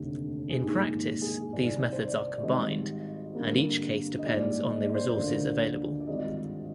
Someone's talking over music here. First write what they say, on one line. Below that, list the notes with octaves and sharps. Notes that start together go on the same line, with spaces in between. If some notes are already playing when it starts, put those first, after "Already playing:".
In practice these methods are combined, and each case depends on the resources available.
Already playing: F1 D#2 D3
G#4
A#1 G#2 D#3 G4
G#4
C2 C3 D#3 D5
C5
D5
D5
G#1 G#2 G3 D#5
G2 D3 G3 A#3
D#5
A#1 G#2 G3 D5
D#5
D5
C5
D5
D2 D3 F3 A#3
D5
G#1 G2 F3 D#5